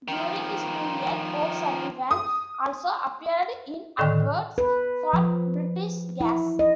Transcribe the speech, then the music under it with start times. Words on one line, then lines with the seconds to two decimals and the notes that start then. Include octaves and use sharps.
During this period, O'Sullivan also appeared in adverts for British Gas.
0.08 D#3 F3
2.11 D#6
3.99 A2 D3 D#3
4.58 B4
5.13 F3
6.21 E4
6.59 D#5